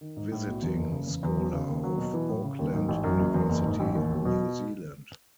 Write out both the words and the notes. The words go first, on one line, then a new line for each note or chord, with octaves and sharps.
Visiting Scholar of Auckland University, New Zealand.
D#3
G#2
A2
B1
E2
F#1
C#3
E2
E2
E1
C#3
D#2
F#3
B2
E3
A2
C#3
D#2
G#2
A1
F#2
F#1
E2
F#1
G#2
A1
D#2
E1
B2